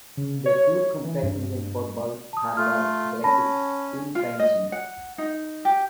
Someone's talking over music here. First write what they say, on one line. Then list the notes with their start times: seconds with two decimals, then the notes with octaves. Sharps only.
The club competes in football, handball, athletics, and fencing.
0.17 C#3
0.46 C#5
1.04 E3
1.23 G2
2.33 A5 D#6
2.57 A3 F4 F6
3.24 C#4 A5 B5 A#6
4.15 F4
4.39 D#5
4.72 F#5
5.18 D#4
5.65 G4